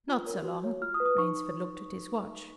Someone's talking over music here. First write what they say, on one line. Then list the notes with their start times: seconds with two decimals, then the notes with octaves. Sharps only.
"Not so long." Rainsford looked at his watch.
0.08 F4
0.26 A#4 C#5
0.45 F#4
0.64 C#5
0.81 F4 F6
0.94 D#6
1.00 B4
1.06 D#6
1.18 D#4 C#6